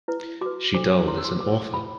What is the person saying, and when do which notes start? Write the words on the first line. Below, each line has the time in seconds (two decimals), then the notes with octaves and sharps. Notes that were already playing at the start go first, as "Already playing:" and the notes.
Shital is an author.
0.08 E4 B4
0.41 F#4 B4 D6
0.74 D4 A4 C5 D6
0.91 D6
1.08 E4 B4 C6
1.18 E6
1.25 C6
1.29 D6
1.40 E4 B4 D6
1.73 E4 B4 B5